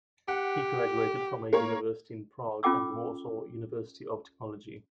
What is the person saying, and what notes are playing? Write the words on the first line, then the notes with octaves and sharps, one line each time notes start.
He graduated from a university in Prague and the Warsaw University of Technology.
G4 F#5
A#3 A#4 C#5
C#4 F4 A4 G5 D6 E6